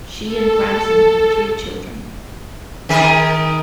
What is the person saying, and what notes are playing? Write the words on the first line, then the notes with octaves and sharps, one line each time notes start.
She and Granson had three children.
A4
D#3 G#4 A#4